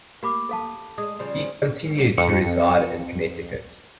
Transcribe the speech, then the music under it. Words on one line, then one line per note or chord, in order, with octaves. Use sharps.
He continued to reside in Connecticut.
A#3 G4 B5 D6
A4 F5 A5
G#3 D#6
C#3 F3 G3
F2 C#7